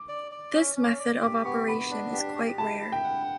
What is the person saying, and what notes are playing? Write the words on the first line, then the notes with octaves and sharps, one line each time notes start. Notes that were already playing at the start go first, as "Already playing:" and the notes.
This method of operation is quite rare.
Already playing: D6
D5
D5
C#4
C#4
D5
G4 D6
B3 C#6
B3 B5
D4
G4
G4
E4 A5
E4
G5
F#5